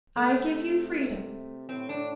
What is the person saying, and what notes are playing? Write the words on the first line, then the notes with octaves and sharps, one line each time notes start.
I give you freedom.
C3 A3
A2 C4
D4